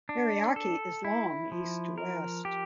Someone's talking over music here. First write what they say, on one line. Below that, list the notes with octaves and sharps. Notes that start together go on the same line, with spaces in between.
Ariake is long east to west.
D4
A4
E4
F3
A#4
G4